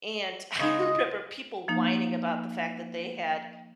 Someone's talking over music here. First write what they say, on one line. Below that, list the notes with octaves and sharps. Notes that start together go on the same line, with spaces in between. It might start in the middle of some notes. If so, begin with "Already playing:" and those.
And I remember people whining about the fact that they had,
C#3 G#3 D#4 D#5
F3 A#3 D#4